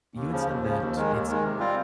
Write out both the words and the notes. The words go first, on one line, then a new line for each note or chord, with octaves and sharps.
you had said that it's
D#2
C#3 F3
D#2
C#3 F3
D#2
D#3 G#3
D#2
D#3 G#3
C3
G3 C4 F4